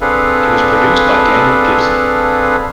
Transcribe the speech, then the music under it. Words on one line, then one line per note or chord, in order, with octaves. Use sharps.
It was produced by Daniel Gibson.
C4 D4 G#4 A4 B4 F5